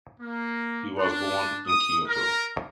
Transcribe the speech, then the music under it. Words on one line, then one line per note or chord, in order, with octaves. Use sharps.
He was born in Kyoto.
A#3
D4
D#6
A#4